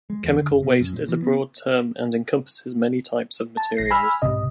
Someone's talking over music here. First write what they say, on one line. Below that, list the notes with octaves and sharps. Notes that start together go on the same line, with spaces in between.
Chemical waste is a broad term and encompasses many types of materials.
G#3
E2
D3
F#1
B2
F#2
A#2
E3
B3
A5
A#1 A#6 C7
G#5 B5 E6 F6
B1 G#2 C3 D#5